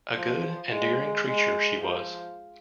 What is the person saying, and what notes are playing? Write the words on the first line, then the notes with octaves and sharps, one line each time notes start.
A good endearing creature she was.
F3
G#3
G#3
F3